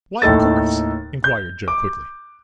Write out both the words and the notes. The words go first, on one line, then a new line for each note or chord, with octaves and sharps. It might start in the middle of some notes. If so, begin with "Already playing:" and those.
"Why 'of course'?" inquired Joe quickly.
D#2 A2 D#4 A4 A6
G6
D6